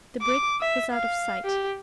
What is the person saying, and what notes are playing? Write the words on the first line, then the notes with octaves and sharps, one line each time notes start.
The brig was out of sight.
D6
E5
F5
G4